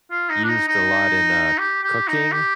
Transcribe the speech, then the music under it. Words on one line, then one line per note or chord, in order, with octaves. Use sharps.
used a lot in, uh, cooking,
F4
D#4
D4
D#4
D#4
G4
G4
D#4
G4